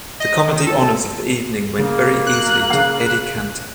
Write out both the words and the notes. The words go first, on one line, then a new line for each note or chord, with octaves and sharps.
The comedy honors of the evening went very easily to Eddie Cantor.
D#5
D#3
A4
C#3 A#3
F#6
C#3 F5